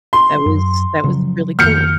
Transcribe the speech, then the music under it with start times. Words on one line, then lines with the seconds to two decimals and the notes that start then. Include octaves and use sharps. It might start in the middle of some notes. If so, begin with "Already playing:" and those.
that was that was really cool.
0.13 C6
0.46 F#2
1.04 C#3 F3 F#3
1.59 F2 D#3 A#3 F6 G6 C#7